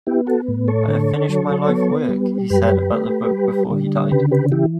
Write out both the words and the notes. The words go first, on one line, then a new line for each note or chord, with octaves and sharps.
"I have finished my life work", he said about the book before he died.
B3 E4 G4
F#4 A4
A2
A4 C#5
D3
F#3
B3
G3
F#2 G4 B4
A3
G3
D3
C#3 G4 B4
G4 B4
E3 E4 G4